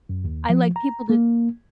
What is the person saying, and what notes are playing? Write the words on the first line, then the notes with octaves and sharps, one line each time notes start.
I like people to
F#2
D#2
F3
A#5
A#3